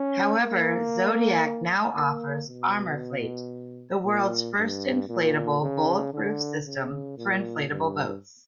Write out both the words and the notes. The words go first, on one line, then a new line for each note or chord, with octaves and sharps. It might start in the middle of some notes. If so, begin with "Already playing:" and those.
However, Zodiac now offers ArmorFlate, the world's first inflatable bulletproof system for inflatable boats.
Already playing: C#4
A#3
A#3
B2
A#2
G2
A#2
C#3
D3
C#3
A#2
G2